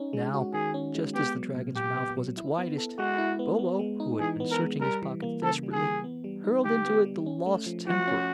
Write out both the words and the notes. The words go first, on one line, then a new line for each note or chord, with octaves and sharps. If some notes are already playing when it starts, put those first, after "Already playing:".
Now just as the dragon's mouth was its widest, Bobo who had been searching his pockets desperately, hurled into it the lost temper.
Already playing: C#4 D#4
G#3
F#4
D#3 G#4
C#4
G#3
B3 G4
F#3
A#2
A#2 G4
B3
F#3
E4
B3
A4
G#3 F#4
E4
B3
B3
G#3
D#4
E3 G#4
B3
A#4
G#3
G3 A#4
E3
A#3
C#3 A4
G3
G#4
E3
B3
G3
D#4
D3 G4
B3
G3
C#4
A3
F3
F3 F#4
C#4